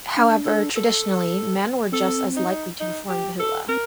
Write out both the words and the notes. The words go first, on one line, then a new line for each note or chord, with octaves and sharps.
However, traditionally, men were just as likely to perform the hula.
D4
A4
A4
C4 A4
D#4
D#4
G4
A4
C4 A#4